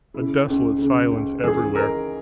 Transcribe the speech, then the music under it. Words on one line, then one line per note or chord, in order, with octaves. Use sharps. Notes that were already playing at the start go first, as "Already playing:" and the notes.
A desolate silence everywhere.
C#3 E4
C#2
C#3
C#2
E3 G#4
G#3 A#4